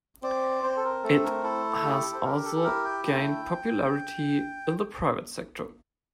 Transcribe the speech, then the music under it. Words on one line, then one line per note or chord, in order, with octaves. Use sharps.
It has also gained popularity in the private sector.
C4 D5
C4 C5
A4
A#4
A3 A4
A#4
E4 A4
G4
C5
G4 A#4
A4
A4
E4 A#4
G5
A3 G5